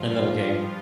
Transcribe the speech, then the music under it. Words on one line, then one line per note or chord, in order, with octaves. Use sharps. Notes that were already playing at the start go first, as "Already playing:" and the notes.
Another game?
Already playing: G2 F3 F4